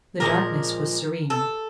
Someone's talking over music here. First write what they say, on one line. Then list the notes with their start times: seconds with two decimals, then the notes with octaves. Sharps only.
The darkness was serene.
0.20 A#2 F3 G#3 A#4
1.30 A4